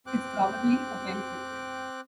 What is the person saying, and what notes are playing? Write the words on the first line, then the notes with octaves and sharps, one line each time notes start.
It's probably offensive.
C4 G5 D6 F#6